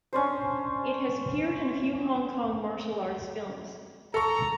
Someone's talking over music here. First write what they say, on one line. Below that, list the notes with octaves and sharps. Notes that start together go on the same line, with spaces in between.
It has appeared in a few Hong Kong martial arts films.
C#4 D4 C5
A4 A#5 C#6